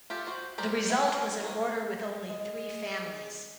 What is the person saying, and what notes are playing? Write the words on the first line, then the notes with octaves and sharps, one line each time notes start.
The result was an order with only three families.
F4 G4 A4 E5
F#4 C5
G4 A#4 C5 D5
F3 B3 E5 F#5
A#4
D#3 A#3
G#3